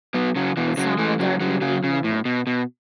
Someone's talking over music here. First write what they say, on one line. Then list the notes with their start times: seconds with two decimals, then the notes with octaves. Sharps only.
It's not all dark in Liam World.
0.14 F#3 B3
0.36 C#3 F#3
0.57 B2 E3
0.77 C#3 F#3
0.98 E3 A3
1.19 C#3 F#3
1.40 C#3 F#3
1.61 C#3 F#3
1.84 C#3
2.04 A2
2.25 B2
2.47 B2